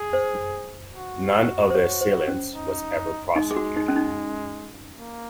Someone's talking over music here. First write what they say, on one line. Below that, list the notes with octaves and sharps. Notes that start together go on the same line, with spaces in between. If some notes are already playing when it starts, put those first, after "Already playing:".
None of the assailants was ever prosecuted.
Already playing: G#4
C5
F#4
C5
C#5
C5
C#4
D#4
G#3 D#4
G#4
F#4
D#4
C#4
D#4
A#3